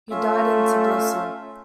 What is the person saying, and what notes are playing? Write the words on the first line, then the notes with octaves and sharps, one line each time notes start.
He died in Tblisi.
A3 C#4 F4 E5